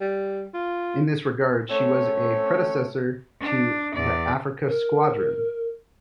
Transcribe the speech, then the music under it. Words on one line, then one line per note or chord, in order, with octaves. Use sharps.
In this regard she was a predecessor to the Africa Squadron.
G3
F4
A3 C4 C#4 C#5
D4
E2 D5
A#4